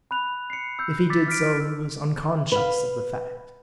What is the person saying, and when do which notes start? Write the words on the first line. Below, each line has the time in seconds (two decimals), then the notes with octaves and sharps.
If he did so, he was unconscious of the fact.
0.11 B5 F#6 F7
0.50 C7 C#7
0.79 E6 G6
1.10 D6 E6 A6 B6
1.28 F6 B6 D7
2.52 B4 F5